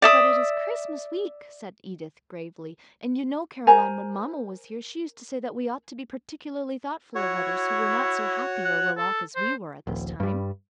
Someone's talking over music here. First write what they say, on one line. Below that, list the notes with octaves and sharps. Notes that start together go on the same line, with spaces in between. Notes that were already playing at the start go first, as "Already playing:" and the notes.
"But it is Christmas week," said Edith gravely, "and you know, Caroline, when Mamma was here she used to say that we ought to be particularly thoughtful of others who were not so happy or well-off as we were at this time."
D5 E5 D#6
A#4 C5 G#5 A#5
E4 F#4 C#5
F#5
A4
C5
D#1 A#1
G2 G3